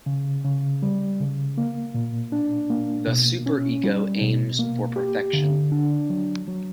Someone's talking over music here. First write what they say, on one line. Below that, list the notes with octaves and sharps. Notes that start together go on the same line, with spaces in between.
The super-ego aims for perfection.
C#3
C#3
G3
C#3
A#3
A#2
D4
A#3
B2
C#4
G3
B2
A#3
G4
D3
D4
F#3
F#3